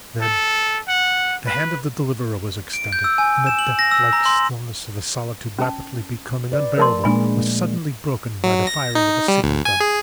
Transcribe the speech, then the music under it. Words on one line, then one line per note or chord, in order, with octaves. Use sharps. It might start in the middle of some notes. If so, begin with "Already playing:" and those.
Then the hand of the Deliverer was extended, and the death-like stillness of a solitude rapidly becoming unbearable was suddenly broken by the firing of a signal-gun.
A4
F#5
B4
D7
G6
E6
G#5
E7
F#7
A#6
E6
A#5
C6
C#4 A5
B4 D5
F3 A3 A#4 A5 C6
A#2 G#3 A#3 D4 G#5 B5
F#3
A#6
D#4
G3
D2
G#5
G#4